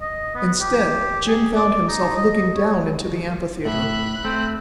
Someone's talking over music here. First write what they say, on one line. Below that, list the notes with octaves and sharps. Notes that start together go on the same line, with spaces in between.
Instead, Jim found himself looking down into the amphitheatre.
D#5
B3
G4
G#4
D5
D#4
D#5
C#5
A2 E5 B5 F#6
A3 C4